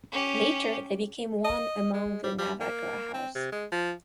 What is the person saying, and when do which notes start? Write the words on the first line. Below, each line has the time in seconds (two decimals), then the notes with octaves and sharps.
Later they became one among the Navagrahas.
0.12 C#4 G4
1.45 D#5
1.94 G#3
2.24 G3
2.39 G3
2.61 A#3
3.14 C4
3.35 C3
3.52 G#3
3.72 F3